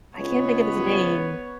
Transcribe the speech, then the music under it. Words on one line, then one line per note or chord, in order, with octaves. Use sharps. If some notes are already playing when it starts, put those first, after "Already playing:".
I can't think of his name.
C#2 B3 C#5